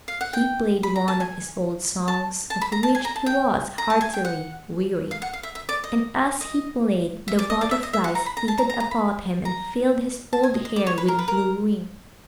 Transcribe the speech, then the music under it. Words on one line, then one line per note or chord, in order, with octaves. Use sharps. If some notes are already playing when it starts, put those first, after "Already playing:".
He played one of his old songs, of which he was heartily weary, and, as he played, the butterflies flitted about him and filled his old hair with blue wings.
F5
F#5
G5
B5
A#5
A5
G#5
A5
A5
B5
A#5
A5
G#5
A#5
A5
G5
A#5
A5
G#5
G5
F#5
F5
F#5
F5
E5
E5
D5
D#5
D#5
E5
D5
D#5
D5
E5
D#5
E5
F#5
A#5
B5
A#5
A5
A#5
A#5
A#5
B5
A#5
A5
G#5
D#5
D#5
D5
C#5
B4
A#4
B4
A#4